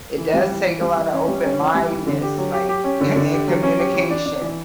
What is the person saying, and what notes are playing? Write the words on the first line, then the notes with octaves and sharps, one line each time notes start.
it does take a lotta open-mindedness, like, a and communication,
E3
G3
E3
E3
G3
E3
C#4
G3
C#4
E3
G3
E3
D3
G4
F#3
G4
G4
C#4
D3
D3
G4
F#3
C#4
G4
E3
D4
D4
E3